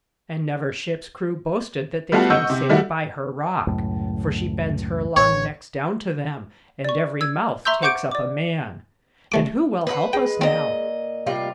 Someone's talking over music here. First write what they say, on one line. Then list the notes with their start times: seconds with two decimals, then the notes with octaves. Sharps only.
And never ship's crew boasted that they came safe by her rock; for she bends her long necks down to them, and every mouth takes up a man And who will help us now?
2.12 G3 A3 B3 F4 F#4 A4
2.30 D#5 F#5 C#6 E6 G6
2.50 C3
2.69 D#3 G3 A3 E4 F#4
3.67 C#2 F#2 A2
5.16 A1 C#5
6.85 D5 C#6
7.21 E6 G#6
7.65 E5 A#5 C6 C#6 E6 G6
7.82 C5 F#5 C#6 D6 G6 D7
8.11 D5 D6
9.32 C2 A3 D6
9.87 B4 C5 D#5 F#5
10.13 G#3 G5
10.41 A#2 C4 D#5
11.26 C3 G3 F4